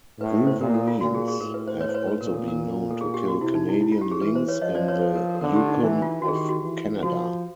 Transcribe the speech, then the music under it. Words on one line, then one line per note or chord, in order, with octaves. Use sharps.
Wolverines have also been known to kill Canadian lynx in the Yukon of Canada.
A2 B4
A#4
C5
A#2 A#4
A4
F4
A#2 F#4
G#4
G#4
A2 A#4
B4
C5
B4 C#5
C5
B4 C#5
B4
A#2 A#4
A4
A#4
A4
G#4
G4
F#4
C3 E4
D#4
E4
E4
F4
G4
G#4
E3 B4
C5
B4 C#5
F3 C#5 D#5
C5 D5
B4 C#5
C5
A#4
A#4
A4
D3 A#4
G4
D#4
E3 E4
F4
D#3 F#4
G#4
G4
F#4
E3
F3 F#4